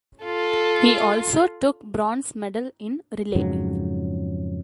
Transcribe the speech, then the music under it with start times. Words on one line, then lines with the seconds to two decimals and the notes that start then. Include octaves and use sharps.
He also took bronze medal in relay.
0.24 F4 A4
3.35 F2 G#2 C#3 F#3